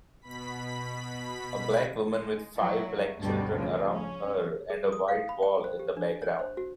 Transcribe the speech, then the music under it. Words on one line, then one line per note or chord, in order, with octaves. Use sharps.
A black women with five black children around her and a white wall in the background.
B2 B5 B6
G#3
F#3 E4
D2 G2 B2 D3 G3
C#3 F3
C#4
G#4
D#6
F5
B5
G5
C5
G4
D4
C#5
C5
F#4